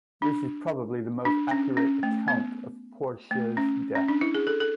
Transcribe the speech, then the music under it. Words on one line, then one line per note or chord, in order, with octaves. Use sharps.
This is probably the most accurate account of Porcia's death.
D4
D4
C#4
C#4
A3
B3
A3
C#4
C#4
D4
E4
G#4
A4
A4